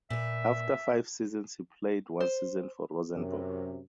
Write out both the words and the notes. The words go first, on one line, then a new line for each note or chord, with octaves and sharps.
After five seasons he played one season for Rosenborg.
A#2 B4 E5
C5
F#2 C3